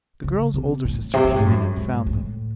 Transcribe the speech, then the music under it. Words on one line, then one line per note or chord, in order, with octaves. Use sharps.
The girl's older sister came in and found them.
C#3
C3
A2
C3
A2
G#2
F#2
G#2
A2